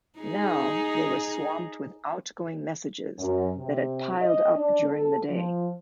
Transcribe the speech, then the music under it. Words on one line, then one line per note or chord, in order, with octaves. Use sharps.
Now they were swamped with outgoing messages that had piled up during the day.
D#4 G#4
F#2
C3
D#5
D4
A4
F3